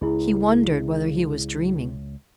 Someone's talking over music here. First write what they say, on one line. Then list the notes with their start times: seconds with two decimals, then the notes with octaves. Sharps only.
He wondered whether he was dreaming.
0.01 C#2 E4 G#4